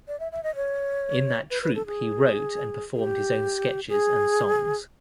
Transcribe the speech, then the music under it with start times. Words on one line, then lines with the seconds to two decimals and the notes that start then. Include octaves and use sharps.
In that troupe he wrote and performed his own sketches and songs.
0.08 D5
0.20 E5
0.32 E5
0.43 D#5
0.56 C#5
1.50 B4
1.63 B4
1.75 A4
1.87 G#4
2.94 G#4
2.99 G4
3.89 G#4